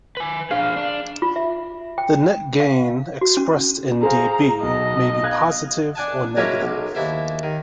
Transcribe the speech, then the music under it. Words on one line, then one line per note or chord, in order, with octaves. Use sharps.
The net gain expressed in dB may be positive or negative.
B4 G#5
D4 G#4 F5
D4
F4
E5
G5
F5
F#4
C#4
G#4 C5 F5 A#5
B1 D#5
F5 F#6 G#6
D4 F#5 G#5 A5
F#3 G#3 A#3 C#4 E4
B1
D#2 E4 C5
D#3